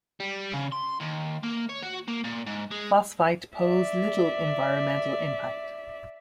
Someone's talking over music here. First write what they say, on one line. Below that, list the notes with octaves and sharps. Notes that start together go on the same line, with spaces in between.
Phosphite pose little environmental impact.
G3
C#3
C6
D#2
A#3
C#5
F#4
A#3
A#2
G#2
G#3
D5 E5